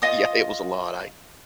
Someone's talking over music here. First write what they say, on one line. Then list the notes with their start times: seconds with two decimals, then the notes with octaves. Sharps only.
Yeah, it was a lot. I
0.02 F4 D#5 D#6